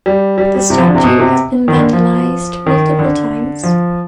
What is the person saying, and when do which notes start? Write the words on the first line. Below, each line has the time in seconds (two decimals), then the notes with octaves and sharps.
The statue has been vandalized multiple times.
0.06 G3
0.38 G3
0.55 G3
0.70 C3
0.78 F3
0.87 D3
0.95 C3
1.03 B2
1.20 C3
1.68 D#3
1.76 D3
1.93 F3
2.67 D#3
2.99 D3
3.63 F3